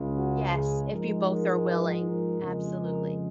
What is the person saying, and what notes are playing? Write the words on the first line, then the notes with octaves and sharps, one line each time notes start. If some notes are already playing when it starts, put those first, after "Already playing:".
Yes, if you both are willing, absolutely.
Already playing: C#2 C#3 G#3
F#4
G#4
G#2 F3 G#3 A#4
A#4
A#4
F2 C#3 F3 G#3
A#4